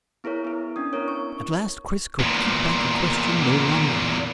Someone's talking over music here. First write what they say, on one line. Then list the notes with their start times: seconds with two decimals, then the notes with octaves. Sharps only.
At last Chris could keep back a question no longer.
0.24 B3 E4 G#4 A#4 C#5
0.45 B3 E4
0.76 C#4 D4 D#6
0.93 B3 E4 A#4 C#5
1.08 C#6
2.20 E2 A#2